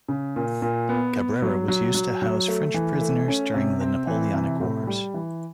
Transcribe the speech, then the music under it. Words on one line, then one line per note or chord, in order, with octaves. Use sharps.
Cabrera was used to house French prisoners during the Napoleonic Wars.
C#3
A#2
A#2
B3
B3
F#3
F#3
F#3
F#3
A3
E3
A3
C#4
C3
C4
E3
C3
A2
G3
E3